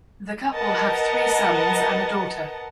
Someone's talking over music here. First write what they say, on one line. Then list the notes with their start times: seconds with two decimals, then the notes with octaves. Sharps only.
The couple have three sons and a daughter.
0.54 A#4 B4 D#5 F#5 A5